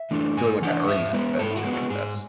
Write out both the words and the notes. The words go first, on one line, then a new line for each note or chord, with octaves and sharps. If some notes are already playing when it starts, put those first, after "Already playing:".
I feel like I earned that veg. I think that's
Already playing: E5
E3 A3 D4
G#2 G#5
E3 A3 D4 F#5
G#2 E5
G#3 B3 B4
G#2 A4
E4
F#4
G#3 B3
F#4
G#2 G#4